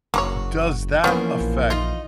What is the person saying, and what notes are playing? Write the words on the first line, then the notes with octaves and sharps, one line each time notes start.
Does that affect
F#1 A#3 F#4 A#4 C#5
E3 F3 A#3 B3 C#4
A#1
D#4 F4 D#5